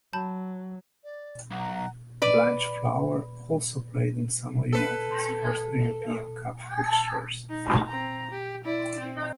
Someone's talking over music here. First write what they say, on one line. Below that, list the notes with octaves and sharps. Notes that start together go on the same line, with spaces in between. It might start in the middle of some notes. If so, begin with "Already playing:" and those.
Blanchflower also played in some of United's first European Cup fixtures.
F#3 A5 B5 G6
D5
B1 F#5 A#5
B4 D5
A4 B4
D#4
C4 A#5
G4
E4 D5
C4